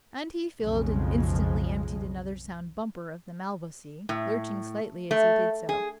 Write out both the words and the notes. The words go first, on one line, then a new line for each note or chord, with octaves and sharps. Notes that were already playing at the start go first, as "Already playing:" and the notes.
And he filled and instantly emptied another sound bumper of the Malvoisie, lurching slightly as he did so.
B1 F2 C#3 F3 F#3 G#3
A2
A3
G#4